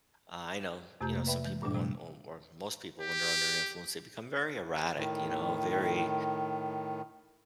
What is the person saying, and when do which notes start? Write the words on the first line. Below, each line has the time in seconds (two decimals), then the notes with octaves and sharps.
I know, you know, some people when or or most people when they're under influence, they become very erratic, you know, very
1.01 F2 C3 A3 G4 A#5 G6
1.12 C3 A#3
1.27 B4 D5 E5 G5 B5
1.44 E3 G#3
1.62 G2 A#2 G3 D4
1.74 C3 F3 G3 A3
3.01 G4
4.97 A2 D#3